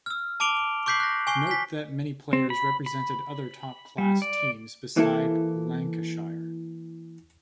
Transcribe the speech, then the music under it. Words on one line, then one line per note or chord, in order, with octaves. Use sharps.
Note that many players represented other top-class teams besides Lancashire.
E6 F6
A5 D6 D7 F7 G7
C#6 D6 G6 B6 C7 F#7
F#6 A#6
G#5 C#6 C7 G7
G#5 B6
C4
B5
B5
G3
D5
E3 A#3 E4 A4